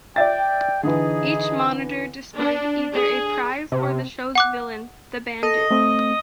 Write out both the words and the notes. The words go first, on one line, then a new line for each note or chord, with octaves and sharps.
Each monitor displayed either a prize or the show's villain, the bandit.
D5 E5 G5 A6
D3 E3 D#4 G#4 D#5
D4
G#4
C3
F#5 D6 F#6
A4 D#5
A3 C4